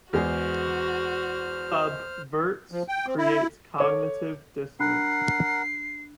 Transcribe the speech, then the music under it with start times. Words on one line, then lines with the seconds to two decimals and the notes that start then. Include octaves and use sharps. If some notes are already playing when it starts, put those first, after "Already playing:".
Subverts create cognitive dissonance.
0.13 E2 G#3 F#4 G#4 C5 F6
2.72 F3
2.88 G5
3.06 C4
3.18 E4
3.78 A4 C#5 D6
4.80 D4 A#4 F#5 B5 F#6 C7